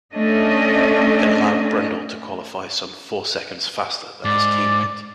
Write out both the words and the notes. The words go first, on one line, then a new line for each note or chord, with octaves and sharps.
It allowed Brundle to qualify some four seconds faster than his team mate.
A3 C#4 D4 D#5
G#2 D5